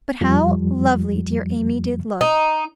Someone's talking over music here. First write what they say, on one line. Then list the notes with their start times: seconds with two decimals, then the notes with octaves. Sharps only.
But how lovely dear Amy did look.'
0.21 F2 F3 G3
2.21 D#4